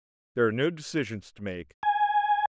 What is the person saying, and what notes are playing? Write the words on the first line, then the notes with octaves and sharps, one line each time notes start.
There are no decisions to make.
G#5